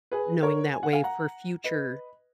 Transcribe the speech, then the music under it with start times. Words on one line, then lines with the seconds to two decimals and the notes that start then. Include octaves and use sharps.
knowing that way for future
0.12 G#4 B4
0.43 A#4 C#5
0.74 G#5
0.83 F#5
0.93 F5 G#5
1.04 F#5 A#5
1.64 B4 D#5